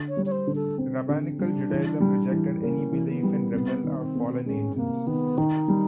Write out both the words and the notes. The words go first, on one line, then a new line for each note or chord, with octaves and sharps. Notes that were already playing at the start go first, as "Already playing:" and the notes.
Rabbinical Judaism rejected any belief in rebel or fallen angels.
Already playing: D3
C#5
G3
C#5
C5
D3
A4
C4
D3
G3 D4
E3
G3
E3
A#3 C#4
E3
B3
G3
C3 B3
D#3
C4
B3
G#3 C#4
C3 A#3
D#3 B3
D#3 D#4
G3